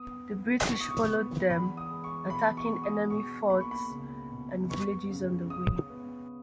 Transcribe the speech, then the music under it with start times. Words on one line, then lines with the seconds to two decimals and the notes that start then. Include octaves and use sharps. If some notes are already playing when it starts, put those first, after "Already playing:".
The British followed them, attacking enemy forts and villages on the way.
Already playing: B3 D#6
0.30 B3
0.70 B3 C#6
0.81 D#6
0.91 C#6
1.10 B3
1.50 E2 B5
1.77 D#6
1.90 G#3
2.04 C#6
2.30 B2 B5
2.57 C#6
2.70 G#3
2.83 D#6
3.10 B2 C#6
3.50 A#3 B5
3.61 C#6
3.71 B5
3.90 C#2
4.31 B2
4.70 B3 C#6
5.10 C#3
5.50 C#3 D#6
5.90 B3